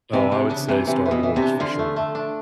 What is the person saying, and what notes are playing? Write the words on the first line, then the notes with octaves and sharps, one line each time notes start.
oh, I would say Star Wars, for sure.
C3 E3
C3 D4
C#3 D4
C3 E3
C3 E3
E3
B2
E3
C3
D4
D3 F4
A3
A3
D4